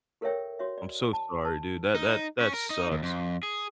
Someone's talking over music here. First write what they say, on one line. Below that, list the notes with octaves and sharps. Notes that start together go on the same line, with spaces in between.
I'm so sorry, dude, that that that sucks.
G4 A4 A#4 C#5 E5 G5
F#4 C#5 E5
D5
A5
A5 D6
D#4
C#4
A#4
D#4
D#2
F2
G#4